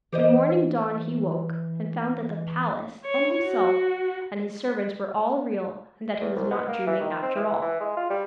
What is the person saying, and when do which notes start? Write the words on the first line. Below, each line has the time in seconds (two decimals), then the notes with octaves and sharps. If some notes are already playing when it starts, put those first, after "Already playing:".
When morning dawned he woke, and found that the palace, and himself, and his servants were all real, and that he was not dreaming after all!
0.12 E3 G4 C5 D#5
3.05 C#5
3.45 F#4
6.21 E2
6.36 C2
6.51 B3
6.68 A#3
6.87 E3
7.01 D#3
7.22 C4
7.35 E3
7.62 E3
7.80 G#3
7.97 F4
8.10 G3